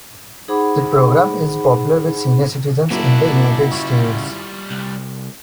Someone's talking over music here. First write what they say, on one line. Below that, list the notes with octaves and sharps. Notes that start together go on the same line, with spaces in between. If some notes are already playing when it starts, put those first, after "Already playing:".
The program is popular with senior citizens in the United States.
D#4 G#4 C5 F#5 B5 D6
A#2 C#3 F#3 A#3 D4 E4 F#4
G3 F4 C#6
C2